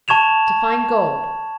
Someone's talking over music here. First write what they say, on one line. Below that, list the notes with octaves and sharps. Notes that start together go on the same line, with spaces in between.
To find gold.
A5 C#6 G#6 E7 F7